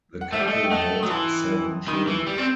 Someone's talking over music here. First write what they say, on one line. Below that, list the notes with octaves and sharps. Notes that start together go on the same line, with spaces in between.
The couple had seven children.
F#5
A3 E5
G3
A3 D#5
G5
A3 D#5 F#5
F#3 D#6
E3 A5 C6
D#3 B5 D#6
E3
G3
C4